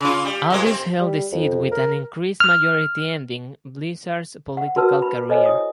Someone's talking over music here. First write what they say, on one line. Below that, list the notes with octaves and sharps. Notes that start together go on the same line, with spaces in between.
Aldous held the seat with an increased majority ending Blizzard's political career.
C#3 F4
G3
F2 G#3 A#3
C4
G3
F2
A#4
F6
F#5
F#4 A#4 B4 A5 E6
B4 B5
A4 C5 C#5 D#5 G#5
E4 D#6